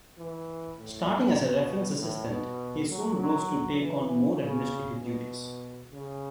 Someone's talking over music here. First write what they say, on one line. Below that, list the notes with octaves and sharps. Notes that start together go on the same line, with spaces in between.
Starting as a reference assistant, he soon rose to take on more administrative duties.
E3
A2
B2
A2
B2
F#3
F#3
E3
C#3
B2
C#3